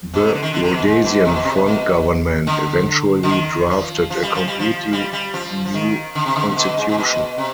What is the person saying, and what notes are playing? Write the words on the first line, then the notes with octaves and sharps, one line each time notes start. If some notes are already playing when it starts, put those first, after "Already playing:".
The Rhodesian Front government eventually drafted a completely new constitution.
B2
C3
D3
D#3
D3
C3
B2
G#2
B2
C3
B2
C3
B2
D3
D3
D#3
F3
F3
G3
F3
G3
F3
G3
G3
F3
F3
D#3
D3
C3
D3
B2
G#2
G#2
B2
C3